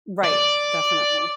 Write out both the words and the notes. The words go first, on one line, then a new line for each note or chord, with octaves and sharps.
Right. Definitely.
D5